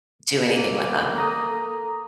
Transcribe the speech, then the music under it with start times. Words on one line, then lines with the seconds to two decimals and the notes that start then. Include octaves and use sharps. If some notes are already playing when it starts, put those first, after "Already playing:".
do anything with them.
0.54 A#3 A4
1.18 A#5 D#6